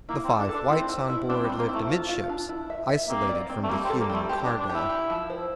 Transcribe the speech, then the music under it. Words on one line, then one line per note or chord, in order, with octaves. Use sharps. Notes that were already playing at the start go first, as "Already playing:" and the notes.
The five whites on board lived amidships, isolated from the human cargo.
A#3 E4
C4
A4
D4
A4
D4
C4 E4
E4
E4
C4 D4
G3
C4
A#3
E4
A3
F4
F4
D4
E4
E5
E5
A#3 C4
D5
C4
A3
G3 A#3
C4
A4
A#3
G3 A3
C4 G4
D4
G4
D4
E4 G4
G4
F3
C5